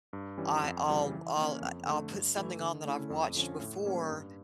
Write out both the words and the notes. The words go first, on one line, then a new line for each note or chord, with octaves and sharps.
I I'll I'll, uh, I'll put something on that I've watched before, i
G2
E3 G3 C#4
F2
C#3 E3 G3
E3
A#3 C#4
F2
D3 A3
G2
E3 A3 E4
D3
A3 C#4 E4
F2
D3 F3 C#4
A2
G3 A#3 C#4
G2